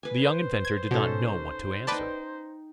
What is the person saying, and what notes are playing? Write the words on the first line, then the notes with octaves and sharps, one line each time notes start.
The young inventor did not know what to answer.
B4 G#5
C5
G#6
B2 C#4 D#4 A4
D#4 B4 D5 G5 A5